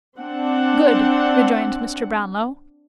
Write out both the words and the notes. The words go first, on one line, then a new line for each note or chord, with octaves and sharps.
'Good!' rejoined Mr. Brownlow.
C4 D4 F#5